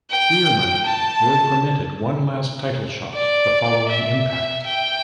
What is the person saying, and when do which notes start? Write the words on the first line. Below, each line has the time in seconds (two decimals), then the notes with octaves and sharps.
Beer Money were permitted one last title shot the following Impact!
0.10 G5
0.86 A5
3.14 D5
3.89 E5
4.28 E5
4.66 G5